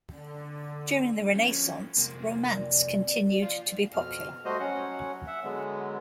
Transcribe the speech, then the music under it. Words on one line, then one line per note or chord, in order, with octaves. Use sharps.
During the Renaissance, romance continued to be popular.
D3
F3 C#4
F2 C3 A#3
D5
F3 F4
F2 B2 F6
G3 A3 F#4 C5 D#5
F#3 C#4 F#5
E5 F#5
D3 F#3 G#3 B3